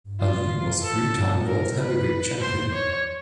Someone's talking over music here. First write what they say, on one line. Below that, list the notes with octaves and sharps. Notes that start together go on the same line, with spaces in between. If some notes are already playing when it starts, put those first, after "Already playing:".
Ali was three time world heavyweight champion.
F4
A4
A#4
B4
C5
C#5